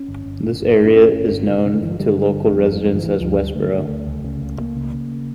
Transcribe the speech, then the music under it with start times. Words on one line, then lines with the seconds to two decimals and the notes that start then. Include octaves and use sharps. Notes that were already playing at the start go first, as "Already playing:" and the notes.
This area is known to local residents as Westborough.
Already playing: C#4
0.08 G1
0.26 G1
0.44 G1
0.61 G1
0.79 G1
0.85 D4
0.95 G1 C#4
1.13 G1
1.29 G1
1.47 C#3
1.65 C#3
1.73 D3
1.81 G1 E3
1.91 F3
1.99 D3 G3
2.17 D3
2.34 G1
2.51 F2
2.68 G1
2.85 G1
2.95 F3
3.03 D2 E3
3.20 D2 F3
3.38 D3 G3
3.55 D3 A3
3.73 D3
3.89 D2
4.07 C#2
4.24 C#3
4.41 C#2
4.59 C#2 A#3
4.76 C#3
4.94 C#3